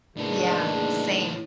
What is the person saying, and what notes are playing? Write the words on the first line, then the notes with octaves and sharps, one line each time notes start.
Yeah, same.
A2 D#3 G#3 A#3 B3 D4 D#4